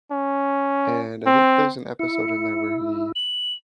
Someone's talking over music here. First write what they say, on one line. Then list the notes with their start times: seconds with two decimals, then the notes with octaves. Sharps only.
and I think there's an episode in there where he
0.11 C#4
1.26 C4
1.99 E4 C#7
3.16 F#7